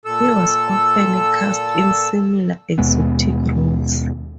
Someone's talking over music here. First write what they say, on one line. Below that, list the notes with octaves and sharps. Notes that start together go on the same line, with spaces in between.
He was often cast in similar, exotic roles.
A#2 A4 E6
D#2 B2 G#3 B3